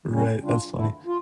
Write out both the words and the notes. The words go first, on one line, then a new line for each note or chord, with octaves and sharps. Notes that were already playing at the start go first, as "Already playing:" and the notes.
Right, that's funny.
F2 C#3 G3 C#4
C#3 G3 D4 F4
E2 D3 A3 E4
F4